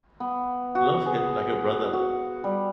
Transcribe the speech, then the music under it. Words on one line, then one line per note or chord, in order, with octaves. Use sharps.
Love him like a brother!
B3
F#4
G#4
F#4
G3